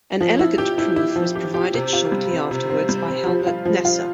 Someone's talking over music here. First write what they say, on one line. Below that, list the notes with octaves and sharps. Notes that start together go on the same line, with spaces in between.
An elegant proof was provided shortly afterwards by Hellmuth Kneser.
F3
E4
G4
E4
E4
F3
G4
G4
C3
F4
G3
C4
C3
C4
G3
C4
F3
F4
F3
F4